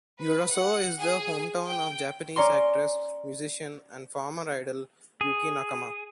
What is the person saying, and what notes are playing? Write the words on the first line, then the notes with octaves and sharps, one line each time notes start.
Urasoe is the hometown of Japanese actress, musician and former idol Yukie Nakama.
B4
F#5
G#4
G5
C#4 D5 A#5 C6
G#4